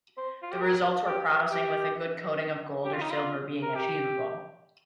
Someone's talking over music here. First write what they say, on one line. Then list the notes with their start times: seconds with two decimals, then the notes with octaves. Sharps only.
The results were promising with a good coating of gold or silver being achievable.
0.17 C5
0.42 F4
0.52 G4
0.62 A#4
1.07 G4
1.51 G4
2.84 G4
2.94 F4
3.01 D#4
3.11 F4
3.62 A#4
3.75 G4